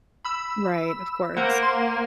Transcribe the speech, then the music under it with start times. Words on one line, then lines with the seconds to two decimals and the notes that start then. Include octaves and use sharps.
Right, of course.
0.25 B5 E6
1.37 A#3 A#4 C5 F#5
1.63 C6